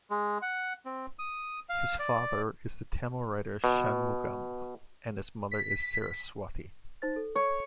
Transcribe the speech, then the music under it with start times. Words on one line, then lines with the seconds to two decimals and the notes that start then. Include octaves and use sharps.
His father is the Tamil writer Shanmugam and his mother is Saraswathi.
0.10 G#3
0.42 F#5
0.85 C4
1.19 D#6
1.69 F5
1.99 D5
3.64 B2
5.51 B6
7.02 D#4 C5 A6
7.16 A4
7.35 C#5